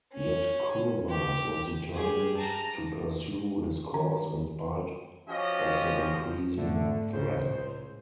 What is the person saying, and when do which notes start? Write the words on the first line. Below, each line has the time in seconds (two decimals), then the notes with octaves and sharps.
Yet Kurbas was determined to pursue his course in spite of the increasing threats.
0.12 C#4
1.09 G4
1.93 G4 G#4
2.37 A5 A#5
3.94 D#3
5.28 F3 C#4 F#4 G4 D#5
6.57 G#2 D3 A3
7.13 C#3 C5
7.46 C#2 A2